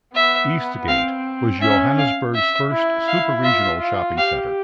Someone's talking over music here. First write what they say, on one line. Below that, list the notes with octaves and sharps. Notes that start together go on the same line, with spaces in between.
Eastgate was Johannesburg's first 'super-regional' shopping centre.
B3 E5
C4 F5
C#4 E5
F5
E5
E4
F5
F4 E5
F4
G4 F5